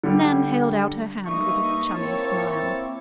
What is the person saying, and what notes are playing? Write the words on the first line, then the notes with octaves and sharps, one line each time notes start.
Nan held out her hand with a chummy smile.
D3 G3
G2 A#3 D#4 E5 C#6
A#3 C4 E4 C#5 A5